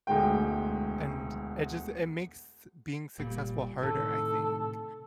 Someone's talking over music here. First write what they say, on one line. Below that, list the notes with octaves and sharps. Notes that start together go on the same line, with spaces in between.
And it just it makes being successful harder, I think,
E1 D2 G#3 G5
F1 A#2 G3
A2 C3 D#3 A4